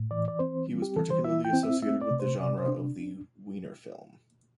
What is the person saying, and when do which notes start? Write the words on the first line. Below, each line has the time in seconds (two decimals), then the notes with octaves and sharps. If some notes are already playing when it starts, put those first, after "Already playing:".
He was particularly associated with the genre of the "Wiener Film".
Already playing: A2
0.11 E3 D5
0.28 D5
0.39 C4 C5
0.67 G3
0.82 G4
0.96 E3 A4
1.10 C5
1.24 E4 E5
1.45 G5
1.53 C4
1.63 E5
1.82 A3 E5
2.01 D5
2.11 C3
2.20 C5
2.39 C3 D5
2.58 C5
2.68 D4